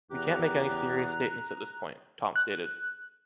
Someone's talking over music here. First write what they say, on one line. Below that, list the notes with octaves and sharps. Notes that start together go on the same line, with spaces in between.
We can't make any serious statements at this point, Tom stated.
E2 G4 A#5 F#6
F#6